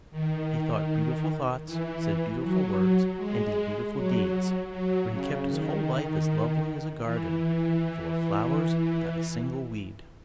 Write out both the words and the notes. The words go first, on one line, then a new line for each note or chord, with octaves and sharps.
He thought beautiful thoughts, said beautiful words, and did beautiful deeds, for he kept his whole life as lovely as a garden full of flowers without a single weed.
D#3
E3
F#3
G#3
F#3
F#3
C#3
D#3
E3